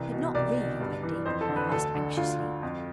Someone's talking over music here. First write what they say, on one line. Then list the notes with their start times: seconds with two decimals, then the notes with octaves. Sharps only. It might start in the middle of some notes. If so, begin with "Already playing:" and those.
'But not really, Wendy?' he asked anxiously.
Already playing: C2 E3
0.12 B2
0.35 C2 D5
0.58 B2
0.80 G2
1.03 E3
1.26 F2 C5
1.41 A4
1.48 D3
1.56 B4
1.71 D2 A4
1.95 D3
2.17 D2 F4
2.40 D3
2.63 F2